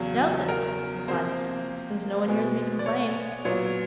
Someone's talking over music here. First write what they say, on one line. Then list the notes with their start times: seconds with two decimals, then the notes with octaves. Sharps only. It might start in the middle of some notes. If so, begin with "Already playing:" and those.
"Doubtless," replied the count, "since no one hears me complain."
Already playing: E2 C#3 F#3
0.49 A#4
1.08 C3 F3 A#3 C5
2.27 B2 G#3 B3
2.79 D5
2.86 C#5
3.45 A#2 F#3 B3 C#5